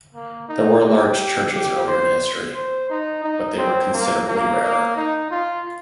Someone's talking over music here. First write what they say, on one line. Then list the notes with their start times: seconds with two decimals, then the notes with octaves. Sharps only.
There were large churches earlier in history, but they were considerably rarer.
0.15 A#3
0.49 D#4
0.84 G4
1.53 G4
1.87 C5
2.55 C5
2.90 D#4
3.24 D#4
3.58 C4
3.93 A#3
4.28 A#3
4.62 A#3
4.96 D#4
5.31 F4